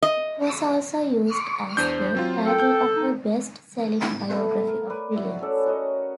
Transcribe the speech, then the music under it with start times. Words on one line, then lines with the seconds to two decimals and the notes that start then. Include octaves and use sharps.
It was also used as the title of a best-selling biography of Williams.
0.03 D#5
1.77 E2 D4 C5 G6
2.15 F#3 C4 F4
2.46 A4 G5
2.60 G6
2.96 D#4
4.30 A3 B3
4.68 A#4
4.90 B4 D5 C#6
5.16 E4 F#4
5.42 C#4 A4 D5
5.66 F#4 A#4 C#5 D#5